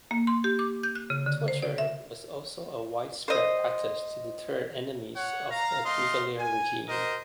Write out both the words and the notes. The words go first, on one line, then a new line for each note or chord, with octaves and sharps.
Torture was also a widespread practice to deter enemies of the Duvalier regime.
A#3
C6
G4
D6
G6
F#6
C#3
D3
C5
D5
E5
C5 D#5
C#5 F#5
F5 A#5
A3 D#5 F5 C6
G#5
F#4 A#4 C5 D#5